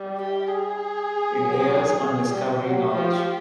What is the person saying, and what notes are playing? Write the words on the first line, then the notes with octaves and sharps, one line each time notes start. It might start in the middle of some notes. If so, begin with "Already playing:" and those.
It airs on Discovery Knowledge.
Already playing: G3
G4
G#4
F#3
G3 G4
F#3
F3